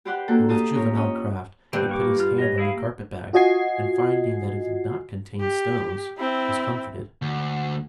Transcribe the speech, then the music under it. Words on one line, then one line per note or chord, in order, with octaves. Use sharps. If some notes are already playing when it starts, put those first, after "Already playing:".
But, with juvenile craft, he put his hand on the carpet-bag, and finding that it did not contain stones, was comforted.
G4 B4 C5 D5 F#5 G5
A#3 D4 F#4 A4
G4 C5 D#5 F5 A5 D#6
F4 G4 A#4 C#5
C#4 C#5 D#5
G2 D3 A3 C4
A#3 C#6 D6
F4 F6
C#5 D#5
E4 G#4 F5
A#3
F4 F#4 D#5 G#5 G#6 C7
G4
C4 E4
D2